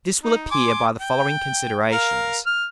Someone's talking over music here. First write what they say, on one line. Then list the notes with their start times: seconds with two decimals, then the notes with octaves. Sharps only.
This will appear by the following Considerations.
0.23 D#4
0.51 G#5 C6 D6
1.01 G5
1.92 A#4 F5
2.46 F6